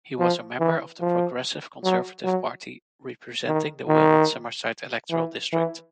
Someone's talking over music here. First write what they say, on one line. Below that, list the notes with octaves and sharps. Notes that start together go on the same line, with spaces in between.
He was a member of the Progressive Conservative Party, representing the Wilmot-Summerside electoral district.
F3
E3
F3
F#3
F#3
D#3
D#3
E3
E3